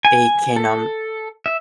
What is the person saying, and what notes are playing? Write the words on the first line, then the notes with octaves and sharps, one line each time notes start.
it can, um
G#5
A4
E5